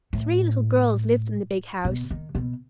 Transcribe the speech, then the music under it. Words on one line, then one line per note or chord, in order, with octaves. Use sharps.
Three little girls lived in the big house.
A2
B2
D#3
B2